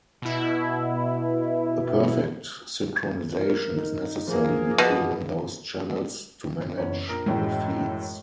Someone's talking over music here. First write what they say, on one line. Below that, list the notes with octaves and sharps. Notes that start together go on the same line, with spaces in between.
A perfect synchronisation is necessary between those channels to manage the feeds.
B2 E4
A#4
D#4
F3 A#3 G#4
B2
F#1 E2 C#4
A#1 A#4 D7
F#2 A2 E3 G#3